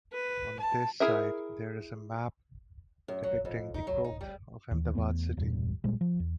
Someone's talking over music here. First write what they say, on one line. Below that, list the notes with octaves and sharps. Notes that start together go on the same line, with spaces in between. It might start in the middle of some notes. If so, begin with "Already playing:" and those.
On this site there is a map depicting the growth of Ahmedabad city.
B4
A5
E4 G#4 A#4 E5
F#2
F#3
F2
D#4
F#3
D#4
G3
D#2 E3
E2 A3 B3
E1 E2 G2 A#2
A#2 G3 G#3
F3
E2